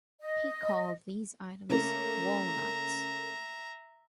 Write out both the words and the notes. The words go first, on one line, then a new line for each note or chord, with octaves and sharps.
He called these items "wallnuts".
D#5
C#3 A3 A#3 E5 A#5